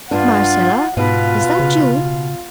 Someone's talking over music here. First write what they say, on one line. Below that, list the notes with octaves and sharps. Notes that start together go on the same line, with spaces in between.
"Marcella, is that you?"
G2 D4 F4 F#5
G#2 B2 F4 B4
C#3